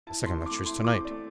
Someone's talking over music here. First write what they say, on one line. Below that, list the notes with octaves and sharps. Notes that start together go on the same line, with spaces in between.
The second lecture's to-night.
E4 A5
E3 C6
C4
D6
A3
E4 C6
E3 D6
C4
D5
A3